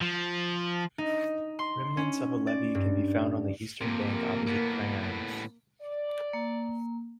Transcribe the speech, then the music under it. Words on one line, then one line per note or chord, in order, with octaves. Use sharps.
Remnants of a levee can be found on the eastern bank opposite Cairns.
F3
D#4
C6
C#4
D5
G2
F2 C3 A#3
A2 B3
D5
A#3